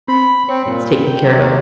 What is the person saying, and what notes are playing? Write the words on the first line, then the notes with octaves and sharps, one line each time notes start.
it's taken care of."
C4 B5
C4 C#5
G2 A#2
G5
C3 F#3